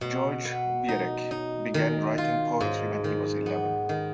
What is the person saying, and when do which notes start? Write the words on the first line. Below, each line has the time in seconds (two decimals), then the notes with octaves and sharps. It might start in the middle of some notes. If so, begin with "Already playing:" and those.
George Viereck began writing poetry when he was eleven.
0.01 B2
0.45 B3
0.88 D#4
1.31 D#4
1.74 D#3
2.18 F4
2.61 G#2
3.04 D#3
3.46 B3
3.89 D#3